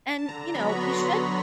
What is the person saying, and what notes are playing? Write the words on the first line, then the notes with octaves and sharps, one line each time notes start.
and, you know, you should
A5
D3 A#5
F#3 B3 B5
C#6
D3 C6
F#3 B3